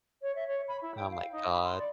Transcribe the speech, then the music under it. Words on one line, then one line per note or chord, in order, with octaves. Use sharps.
Oh my god.
C#5
E5
C#5
B5
E4
G5
F5
D#4
B5
C6
D5